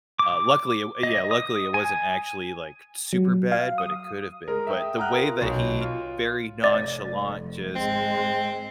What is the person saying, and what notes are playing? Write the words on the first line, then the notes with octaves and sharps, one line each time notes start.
uh, luckily, it wa uh, yeah, luckily, it wasn't actually, like, super bad, but it could've been. But the way that he very nonchalant just,
D6
D#5
D#6
G#5
F#3
F5
D#6
G#3 A#4
E5 G5 D#6
F#5 G5 A#5 D#6 F6 F#6
F4 A#4
B1
F4
F1 F2 D5
G#1 G#3 C4